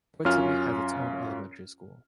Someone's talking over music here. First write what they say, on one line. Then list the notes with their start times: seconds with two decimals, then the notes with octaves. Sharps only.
Ford City has its own elementary school.
0.25 F#2 C#4 F4 F6